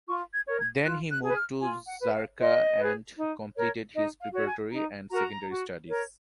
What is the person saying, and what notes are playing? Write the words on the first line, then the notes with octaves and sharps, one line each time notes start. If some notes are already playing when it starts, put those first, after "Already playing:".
Then he moved to "Zarqa" and completed his preparatory and secondary studies.
F4 C#6
G#6
A#4 C#5
G#6
F4 F#6
F#6
G#4 B4
F6
F4 G#5
F#5
B4
F5
F4 D#5
G#4 B4
D#4
A#4 C#5
D#4 D#5
F5
F#4 C#5
G#5
D#4 A#5
F#4 A#4 A#5
F#4
A#4 C#5